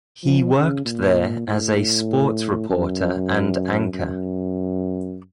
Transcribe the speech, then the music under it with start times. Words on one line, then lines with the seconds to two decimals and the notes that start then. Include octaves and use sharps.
He worked there as a sports reporter and anchor.
0.24 F3
0.55 C#3
0.85 A#2
1.47 A2
2.69 F#2
3.93 F#2